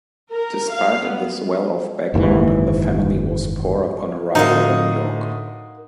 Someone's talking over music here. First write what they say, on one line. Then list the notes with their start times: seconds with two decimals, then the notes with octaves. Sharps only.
Despite this well-off background, the family was poor upon arrival in New York.
0.31 A#4
0.72 F5
1.08 B3
2.14 F#1 D#2 G#2 E3
4.35 A2 D3 D#4 F#4 A#4 F5 D#6